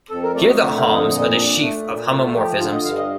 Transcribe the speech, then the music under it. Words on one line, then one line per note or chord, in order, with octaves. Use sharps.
Here the "Hom"'s are the sheaf of homomorphisms.
F2 A4
A#4
A3 D5
D#5
D3
A#4
F2
D#5
A#2 D#5
D4
A3
A#2
A3 F4
F3 G4
D3 F4
D#5
G2 F5
D#5